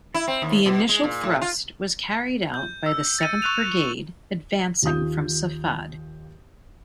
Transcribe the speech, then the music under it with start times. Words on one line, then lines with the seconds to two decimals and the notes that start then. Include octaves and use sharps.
The initial thrust was carried out by the Seventh Brigade advancing from Safad.
0.14 E4
0.28 C4
0.42 D#2
0.66 B2
0.89 G#3
1.03 A#2
1.23 A2
1.41 F4
2.54 G6
2.86 E6
3.19 A6 C#7 D#7
3.42 C#6 E6 F#6 D#7 F7
4.83 D#2 F4 D#6 G6